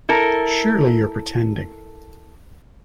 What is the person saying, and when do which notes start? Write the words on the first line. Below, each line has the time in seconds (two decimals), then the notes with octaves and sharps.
Surely you’re pretending.
0.09 E4 A4 A#4